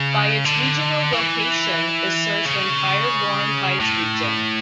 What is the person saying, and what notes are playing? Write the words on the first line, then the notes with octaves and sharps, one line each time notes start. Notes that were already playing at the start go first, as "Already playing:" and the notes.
By its regional vocation, it serves the entire Laurentides region.
Already playing: C#3
D3
E3
C#3
A2